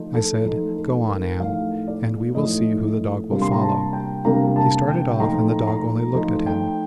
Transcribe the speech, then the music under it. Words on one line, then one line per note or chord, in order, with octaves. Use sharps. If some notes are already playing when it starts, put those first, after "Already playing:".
I said, "Go on Am, and we will see who the dog will follow." He started off and the dog only looked at him.
Already playing: F3 A3 D#4
A4
F3 A3 D#4 A4
A4
A#4
A2 F3 A3 D#4 F5
D5
A2 F3 A3 D#4 D#5
C3 G3 A#3 D4 F4
C6
A#5
A5
G5
C3 G3 A#3 D4 F4 A#5
A5
G5
F3 A3 D#4 A#5
A#5
F3 A3 D#4
G5